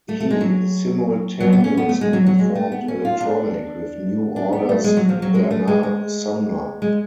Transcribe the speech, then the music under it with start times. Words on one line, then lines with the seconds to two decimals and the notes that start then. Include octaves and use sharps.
He simultaneously formed Electronic with New Order's Bernard Sumner.
0.09 A3
0.20 A3
0.31 G#3
0.41 F#3
1.40 F#3
1.53 B3
1.64 C#4
1.77 B3
1.89 A3
2.01 G#3
2.13 F#3
2.27 F#3
2.39 G#3
2.55 A3
2.72 B3
2.88 C#4
3.05 F4
3.21 D4
4.36 D4
4.53 B3
4.69 A3
4.84 G#3
4.97 F#3
5.09 F3
5.22 F#3
5.35 G#3
5.51 A3
5.68 G#3
5.83 G#3
6.82 G#3